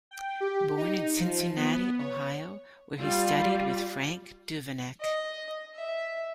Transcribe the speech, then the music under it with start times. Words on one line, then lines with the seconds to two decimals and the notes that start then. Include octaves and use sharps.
Born in Cincinnati, Ohio, where he studied with Frank Duveneck.
0.11 G5
0.40 G4
0.77 D#4
1.20 F3
1.56 B3
1.99 C#5
3.00 G3 F4
5.01 D#5
5.75 E5